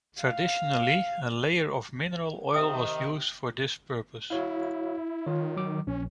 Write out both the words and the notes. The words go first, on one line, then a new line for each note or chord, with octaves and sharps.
Traditionally, a layer of mineral oil was used for this purpose.
F5
C3 D#3 E5 G5 D#6
E4 F#4 C#5 F5
D#3 F4 C#5
F#3 D6
A#1 C#4